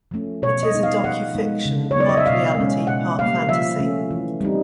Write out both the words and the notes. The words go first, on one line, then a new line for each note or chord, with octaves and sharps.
It is a docufiction: part reality, part fantasy.
F3 A3 C#4
B2 C#5
D#5
G3 B3 D#4
F5
F3 F#5
G#3 B3 D#4
C#3
C#5
F#3 B3 D#4 D5
D#5
E5
B2 F5
G#3 C#4
B2 F#5
G3 A#3 F5
F3 E5
A3 C#4
E3
G3 C4 D#4